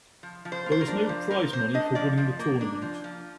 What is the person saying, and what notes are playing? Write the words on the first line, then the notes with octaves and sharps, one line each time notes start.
There is no prize money for winning the tournament.
F3
F3
C5
A#3
C5
A#4
D4
F3
F3 A#4
A#3 C5
D4 D#5
F3 D5
F3
A#3
D4
F3
F3